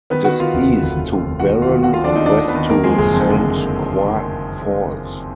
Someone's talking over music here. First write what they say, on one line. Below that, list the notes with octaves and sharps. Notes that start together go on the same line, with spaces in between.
It is east to Barron and west to Saint Croix Falls.
D#3 B3 B4
D#3 F#4 F#5
D#3 F4 F5
F1
F1
F1
F1
D#2
F1
D#3 F#4 F#5
D#3
F4 F5
D#3
D#2 F#4 F#5
F4 F5
D#2
D4 D5
D#2 D#4 D#5
D#3 D4 D5
D#2
B3 B4
D#3
F2 A#3 A#4
F3 G#3 G#4
F#1 G#3 G#4
F2
D3